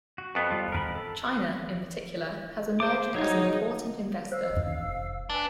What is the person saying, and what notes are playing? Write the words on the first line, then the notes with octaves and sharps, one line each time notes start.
China, in particular, has emerged as an important investor.
F#4
F2 B3
G3 F4
A#4 B4 B5
A4
G#4 C5 D6
F#3 D#4 C#5
C5 F5 E6
D#1 G#1 D#5
F1 D#2
A3 D4 B4 G#5